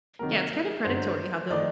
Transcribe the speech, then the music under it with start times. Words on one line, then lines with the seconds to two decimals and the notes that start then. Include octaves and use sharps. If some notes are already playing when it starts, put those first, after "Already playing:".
Yeah, it's kinda predatory how they'll
0.19 C3 D#3 F#3 A#3 A#4
0.85 G2 D3 F#3 C5
1.51 D#3 A3 D#4 D5